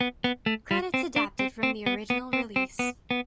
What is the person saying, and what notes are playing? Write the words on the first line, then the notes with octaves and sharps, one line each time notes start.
Credits adapted from the original release.
B3
B3
A3
G3
C4
D4
C4
C4
B3
B3
C4
C4
B3
B3